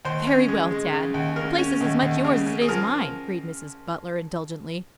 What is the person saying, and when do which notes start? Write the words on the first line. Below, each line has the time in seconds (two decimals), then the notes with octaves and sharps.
"Very well, Tad; the place is as much yours as it is mine," agreed Mrs. Butler, indulgently.
0.05 D#2 C5
0.27 C#4
0.48 G#3
0.71 G#3
0.93 C#3
1.14 D#2
1.36 C#3 A#4
1.58 C#4
1.81 D#2
2.02 D#2
2.24 C#3
2.46 C#4
2.62 G#4
2.69 F3 A#4